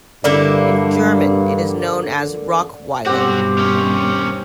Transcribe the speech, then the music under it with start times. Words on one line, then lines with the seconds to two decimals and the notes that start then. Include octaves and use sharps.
In German it is known as "Rokwiler".
0.24 G2 D3 A#3 E4 D5
3.06 B1 G2 B2 C4 F#4 G4
3.58 D#2 C#4